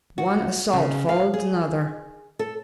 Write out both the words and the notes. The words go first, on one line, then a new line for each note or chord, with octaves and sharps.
One assault followed another.
F#4
C#3
F5
G#4
A4